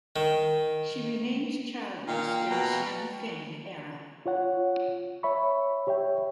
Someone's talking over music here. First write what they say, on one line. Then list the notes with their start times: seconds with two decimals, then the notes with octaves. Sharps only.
She remained childless during Xianfeng era.
0.16 D#3
2.08 A#2 F5 G5
2.51 B2 A#5
4.26 F4 C#5 F#5
5.23 C#5 E5 B5 C#6
5.87 G4 C#5 E5 G5